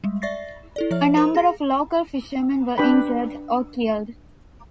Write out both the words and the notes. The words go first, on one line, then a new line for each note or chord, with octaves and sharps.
A number of local fisherman were injured or killed.
G3 G#3
D5 E5 C#6 A6 A#6 C7
E4 A4 D5
F3 C#5 E5 F6
A#4 C5 C6
G#4 A#5 A#6
D4 B4 G5 B5